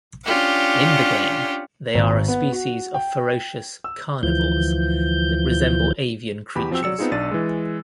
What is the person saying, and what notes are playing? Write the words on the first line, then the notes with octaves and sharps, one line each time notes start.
In the game, they are a species of ferocious carnivores that resemble avian creatures.
C#4 D4 F4 G4 F#5
G#1
B3
F#4
G5
E6
D2 E3 F3 G6
E2 G4 B5
F3 C4 F#4 G5 E6
F#3 D5 E6 C#7
B3 C4 D#4 F4 G#4
B1 D4 D5 A6 D#7
E3 G#3